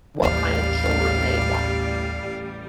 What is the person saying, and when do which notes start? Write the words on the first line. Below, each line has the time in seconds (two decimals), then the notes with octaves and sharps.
what kind of children they wanted.
0.22 A1 D#2 G3 A3 F5